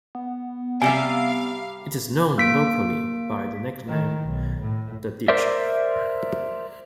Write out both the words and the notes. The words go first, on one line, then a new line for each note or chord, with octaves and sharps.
It is known locally by the nickname The Ditch.
B3
C3 G3 E5 F5 G#5
A#3 B6 D7
D#3
B1
A2
A#4 C5 D5 E5